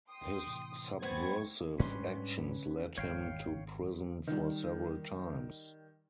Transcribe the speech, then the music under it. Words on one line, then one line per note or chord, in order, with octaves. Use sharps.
His "subversive" actions lead him to prison for several times.
G5 C6 D#6
A2 C3 E3
G2 F#3 A3 B3 C4 C#6 G#6
G#2 G3 C#4 D4 B4 C6
G#1 C#5 F5 G5
D#3 G3